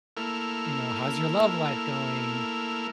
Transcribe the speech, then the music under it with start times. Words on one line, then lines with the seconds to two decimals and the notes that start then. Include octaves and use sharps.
you know, "How's your love life going?"
0.17 A3 A#3 E4 F6